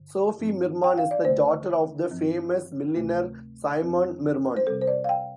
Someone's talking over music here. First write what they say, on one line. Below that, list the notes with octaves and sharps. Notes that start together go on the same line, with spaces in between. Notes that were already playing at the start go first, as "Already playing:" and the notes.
Sophie Mirman is the daughter of the famous milliner Simone Mirman.
Already playing: G2 D3
G2 F3 C4
G5
F5
D5
D2 D3 A3 C5
G2 F3 C4
D2 C3 A3
F2 F3 C4
C5
C3 G3 C4 A4
C5
D5
F5
G5